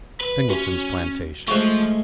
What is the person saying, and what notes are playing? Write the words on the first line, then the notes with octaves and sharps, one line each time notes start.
Singleton's plantation.
B4
C#4 F#4
F3 G#3 A3 C5 C#6